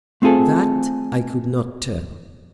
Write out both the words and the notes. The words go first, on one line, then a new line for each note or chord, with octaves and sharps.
That I could not tell.
A3 C4 F4 G#4 A4